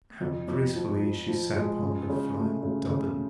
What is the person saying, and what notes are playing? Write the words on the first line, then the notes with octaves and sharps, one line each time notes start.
How gracefully she sat upon her flying Dobbin!
F2
F2
F3
F3
F3
G#3
C#3
C#3
A3
C#3
C#3